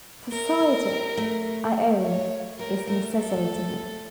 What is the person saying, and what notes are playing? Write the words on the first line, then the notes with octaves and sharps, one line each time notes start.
Society, I own, is necessary to me.
D5
A#4 E5
A4
G4
A3
C#5
G3 A#4
A3 A#4
A4